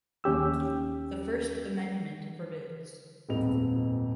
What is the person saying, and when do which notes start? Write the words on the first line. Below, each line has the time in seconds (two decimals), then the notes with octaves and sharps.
The First Amendment forbids.
0.24 D#2 C#4 G4 E6
3.29 D#1 F2 G#2 B3 D#4 F7